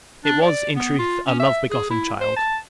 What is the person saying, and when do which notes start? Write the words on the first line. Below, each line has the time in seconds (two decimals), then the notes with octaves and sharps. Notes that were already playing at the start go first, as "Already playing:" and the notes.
It was, in truth, a love-begotten child!
0.25 D4
0.42 D5
0.76 B3
0.99 F4
1.26 C#4
1.40 E5
1.71 G#4
1.91 E4
2.21 C5
2.37 A5